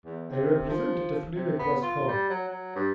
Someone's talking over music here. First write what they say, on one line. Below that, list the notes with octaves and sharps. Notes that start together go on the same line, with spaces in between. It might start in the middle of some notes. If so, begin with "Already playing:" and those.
A representative lyric was Ho!
E2
C3
F3
C3
B3
F4
G3
F#3
F#3
G2